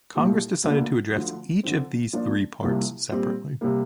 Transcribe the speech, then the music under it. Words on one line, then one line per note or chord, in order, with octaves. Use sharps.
Congress decided to address each of these three parts separately.
C2 A#2 A#3 G4
D2 D3 A#3 D4
D2 D3 F3
D3 F3 C4
F3 A#3 D4 F4 D5
C2 C3 F3 A#3
A#2 G3 C4 G4
C3 G3 A#3